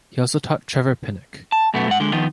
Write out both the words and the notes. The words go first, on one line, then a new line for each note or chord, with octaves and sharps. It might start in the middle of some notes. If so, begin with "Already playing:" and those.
He also taught Trevor Pinnock.
A5
F#2 B2 A3 B3
G#2 F#5
D3 G#3
D#3 F3 B3 D#4